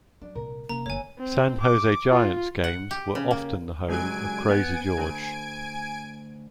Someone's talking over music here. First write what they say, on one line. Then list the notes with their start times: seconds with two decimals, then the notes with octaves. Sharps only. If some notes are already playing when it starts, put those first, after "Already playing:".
San Jose Giants games were often the home of Krazy George.
0.22 F#3 D4
0.35 C2 A#2 A#4
0.69 C3 A#3 C#4 A#5
0.86 F#1 D3 E3 A3 C#5 G#5
1.19 C4
1.61 D6
2.11 F4
2.64 F#5
2.91 G4
3.15 C#3
3.31 A#3
3.89 C#2 F#3 G#5 G#6 D7
4.50 B3
4.97 D2